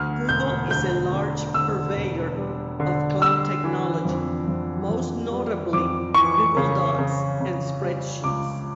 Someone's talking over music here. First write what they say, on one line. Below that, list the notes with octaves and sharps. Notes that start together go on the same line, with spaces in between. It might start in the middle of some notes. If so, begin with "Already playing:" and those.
Google is a large purveyor of cloud technology, most notably Google Docs and Spreadsheets.
Already playing: D2 F6
E1 G6
D2 G6
D3
D3 E6
E1
G3
D3
G3 E6
E3
F2
F2
F2
G3
F2 D6
E3 C#6
C#3
C#3
C#3
G3
C#2 D6